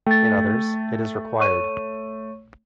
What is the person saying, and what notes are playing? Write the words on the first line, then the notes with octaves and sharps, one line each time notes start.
In others it is required.
A3 G5 A6
C#5 C#6 D#7